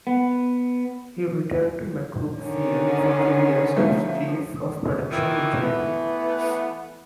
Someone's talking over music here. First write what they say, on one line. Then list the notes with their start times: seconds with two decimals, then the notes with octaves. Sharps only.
He returned to McCook Field for three years as chief of Production Engineering.
0.07 B3
2.40 D3 D#3 C#4
3.76 F3 A3
5.11 A#2 D#3 E3
5.61 E3 A3 B3